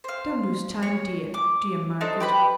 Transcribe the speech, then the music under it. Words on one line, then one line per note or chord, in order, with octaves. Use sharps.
Don't lose time, dear, dear Margaret.
C5 F5
C#5
D6
D4 D#4 A4 C5
G4 B4 B5